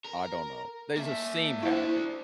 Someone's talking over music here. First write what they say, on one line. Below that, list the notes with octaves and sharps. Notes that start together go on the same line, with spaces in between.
I don't know, they just seem happy.
A#4
A#3 E5
D4 E4 C5 E5